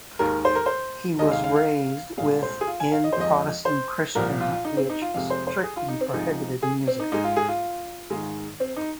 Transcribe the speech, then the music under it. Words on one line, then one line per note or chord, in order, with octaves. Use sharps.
He was raised with in Protestant Christian which strictly prohibited music.
D#2 D#3 G#3 A#4
C5
A#4
C5
D#2 D#3 G#3 D#5
F5
F5
F5
C2 A#2 G#3 F5
C5
G#4
F4
G#5
F5
D#5
C5
F2 F3 G#3 D#5
C5
C2 A#2 F3 A#4
F4
F4
D#4
C4
D#4
F4
F2 C3 G#3 F5
C5
C5
G#4
F4
D#4
C4
C2 C3 F3 G#3 D#4
G#4
C4
D#4
G#2 G#3 D#4
F4
G#4
F4
G#2 D#3 G#3
C4
D#4